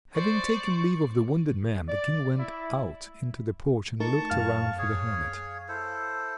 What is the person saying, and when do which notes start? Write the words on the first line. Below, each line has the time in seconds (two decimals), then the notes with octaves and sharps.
Having taken leave of the wounded man, the King went out into the porch and looked around for the hermit.
0.14 C5 D5 C#6
1.88 D5
2.38 E4
4.00 A3 D#4 A#4 A5 C#6
4.30 F#2 F5 F6
4.78 G#4 C#5
5.68 E4 A4 C5